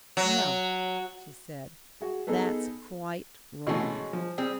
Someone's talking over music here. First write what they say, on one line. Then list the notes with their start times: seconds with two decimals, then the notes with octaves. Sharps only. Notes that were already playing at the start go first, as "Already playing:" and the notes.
"No," she said, "that's quite wrong."
0.17 F#3
2.01 F#4 G#4
2.27 B3 D#4 G#4 A4 B4
3.67 B2 E3 G#3 A3 C#4 F#4
4.13 F3
4.38 G3 C4 G#4